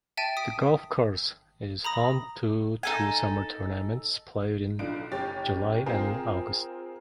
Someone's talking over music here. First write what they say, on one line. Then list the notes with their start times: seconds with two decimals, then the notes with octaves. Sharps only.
The golf course is home to two summer tournaments played in July and August.
0.17 E5 G5 A5 A6 D#7
0.37 D#6 B6 D7
1.85 A#5 B5 D#6 A#6
2.83 D#4 A4 G#5
4.79 B1 D4 F4 D7
5.12 F#1 C#4 G4 A6
5.86 C4 F4 G#4 A#4